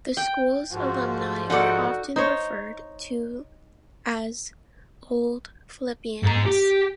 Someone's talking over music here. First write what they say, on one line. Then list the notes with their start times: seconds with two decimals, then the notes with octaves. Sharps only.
The school's alumni are often referred to as "Old Phillipians".
0.17 G5
0.71 G#2 F3 F#4
1.50 D#4 F#4 A4 D5 F#5
2.16 D#4 C5 C#5
6.23 G#2 A#5
6.46 G4